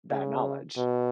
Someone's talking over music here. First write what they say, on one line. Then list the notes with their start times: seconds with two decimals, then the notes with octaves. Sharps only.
that knowledge.
0.10 C#3
0.77 B2